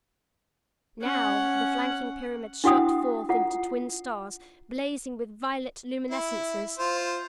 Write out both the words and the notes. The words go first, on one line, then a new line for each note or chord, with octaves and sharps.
Now the flanking pyramids shot forth into twin stars, blazing with violet luminescences.
C#4 F#5
D4 E4 F#4 F#5 G5 D#6
F4 F#5
E4
F4 C5